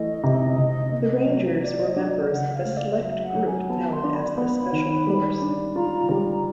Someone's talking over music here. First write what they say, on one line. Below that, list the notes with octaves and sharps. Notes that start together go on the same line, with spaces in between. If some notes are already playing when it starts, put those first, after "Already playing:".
The Rangers were members of a select group known as the Special Force.
Already playing: E3 A3 D#5
C3
C3
A#3
F#3
F#3 D5
D#5
D4
C#3 F#5
F5
A3
D5
F5
F#3 E5
F#5
F#3
G#5
B3 A5
C6
D4
B5
B3
D#3
G3
D4
F4 A#5
G3